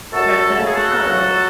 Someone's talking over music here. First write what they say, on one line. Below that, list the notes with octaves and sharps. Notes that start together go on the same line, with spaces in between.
“I gotta finish this pot roast.”
F#2 F#4 A4
C#3 A4
G#4
F#4 A4
F#3